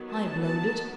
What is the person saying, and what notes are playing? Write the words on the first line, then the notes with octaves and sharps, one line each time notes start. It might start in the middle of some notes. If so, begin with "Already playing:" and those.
"I blowed it."
Already playing: D#3 F#3 B3
A5
A5